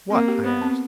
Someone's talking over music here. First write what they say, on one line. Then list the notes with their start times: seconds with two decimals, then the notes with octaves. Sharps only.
"What?" I asked.
0.10 A#3 C4
0.28 G4
0.44 B3 C5
0.62 C4